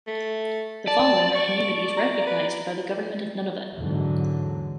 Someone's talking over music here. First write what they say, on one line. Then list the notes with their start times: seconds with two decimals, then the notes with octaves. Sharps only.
The following are communities recognised by the Government of Nunavut.
0.07 A3
0.87 D5 A5
1.35 C#6
1.97 A#5
2.27 B4
3.75 E2 G#2 D3 F#3